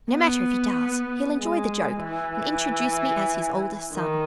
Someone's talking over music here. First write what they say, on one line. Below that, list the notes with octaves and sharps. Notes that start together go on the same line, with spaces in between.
No matter if he does, he'll enjoy the joke and introduce me as his oldest son.
B3
G#3
E3
D#3